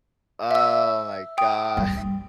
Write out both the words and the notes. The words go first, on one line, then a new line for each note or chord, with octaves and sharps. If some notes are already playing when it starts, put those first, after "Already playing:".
Oh my god.
E5 E6
G5 D#6
G3